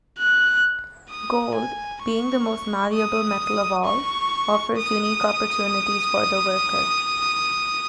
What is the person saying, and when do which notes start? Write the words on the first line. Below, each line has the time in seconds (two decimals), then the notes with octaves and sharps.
Gold, being the most malleable metal of all, offers unique opportunities for the worker.
0.18 F#6
1.10 D#6
1.55 G#5
2.02 C#6
2.94 D#6
3.85 C#6
4.77 D#6